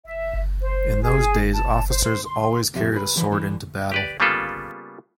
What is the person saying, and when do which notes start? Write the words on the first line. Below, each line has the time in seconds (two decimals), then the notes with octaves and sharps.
In those days officers always carried a sword into battle.
0.04 E5
0.62 C5
1.02 G#4
1.53 A5
1.89 C5
2.03 C5
2.25 C6
2.74 F2 C3 G4 E5
2.92 G#4 A#4 B4
3.16 D3 E3 F3 B4
3.31 D3 E3
3.92 G4 B4 D5
4.20 C#3 G3 A#3 B3 F4 A4